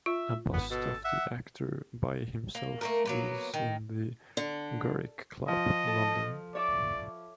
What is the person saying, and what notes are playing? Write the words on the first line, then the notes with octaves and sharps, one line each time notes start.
A bust of the actor by himself is in the Garrick Club, London.
F4 E5
G#1 B3 B4
B2 A4
E5 F#5
A#3
A3 A#3 A#4
F#3 A#3 B3
D#3
D3
F3 D#5
A4 A5
C#5 D5 E5 D6